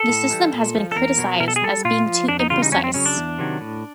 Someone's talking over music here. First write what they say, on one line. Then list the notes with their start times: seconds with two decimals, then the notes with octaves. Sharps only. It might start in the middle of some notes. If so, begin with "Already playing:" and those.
This system has been criticized as being too imprecise.
Already playing: A4
0.08 A2
0.30 E3 G3
0.53 A#2
0.75 F3
0.92 A4
0.96 E2 A#4
1.18 B2 F#3
1.40 B2 A#4
1.48 A4
1.56 G#4
1.62 G3 A4
1.85 A#2 F4
2.06 F3
2.28 F2 D4
2.40 D#4
2.50 C#3 E3 G3 F4
2.62 D#4
2.72 F2 C#4
2.84 C4
2.94 C#3 F#3 C#4
3.06 D4
3.17 E2
3.39 C3 D#3 F#3
3.61 A2